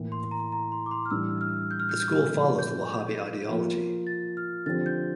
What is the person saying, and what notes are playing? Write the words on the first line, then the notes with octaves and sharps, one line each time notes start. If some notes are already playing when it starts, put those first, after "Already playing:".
The schools follows the Wahhabi ideology.
Already playing: A2 E3 A#3
C6
A#5
A#5
C6
D6
C6
F6
A2 E3 G3 D4 E6
F6
G6
F6
G6
G6
A#2 F3 A3
G6
F3 A#3 F4 A#4
A6
F6
D3 F3 C4 G4 A6
G6